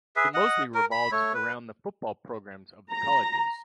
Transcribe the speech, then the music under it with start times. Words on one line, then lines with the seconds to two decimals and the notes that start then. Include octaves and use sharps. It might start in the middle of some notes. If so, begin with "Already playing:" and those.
It mostly revolves around the football programs of the colleges.
0.16 G#4 B4 E5
0.34 D#5 F#5
0.74 A#4
0.92 B5
1.12 A3 C#5
1.34 B4
2.92 A#5